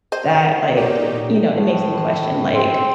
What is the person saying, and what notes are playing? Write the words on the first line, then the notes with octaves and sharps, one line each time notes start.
that, like you know, it makes me question like,
C5 D#5
A#2 D#4 G4 A#4 C#5 D5
A2
C4